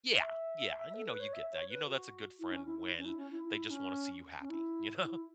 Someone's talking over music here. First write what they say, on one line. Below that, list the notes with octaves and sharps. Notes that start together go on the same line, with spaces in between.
Yeah, yeah, and, you know, you get that, you know that's a good friend when they just wanna see you happy, you know?
E5
A4
B4
C#5
E5
C#5
B4
F#4
E4
C#4
E4
E4
C#4
E4
C#4
E4
E4
E4
C#4
C#4
E4
E4